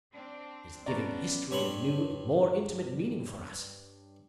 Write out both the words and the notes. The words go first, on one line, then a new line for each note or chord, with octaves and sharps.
It is giving history a new and more intimate meaning for us.
C4 D4
C3 B3 C#4 D4 D5 A#5
G2 C#5 B5 C6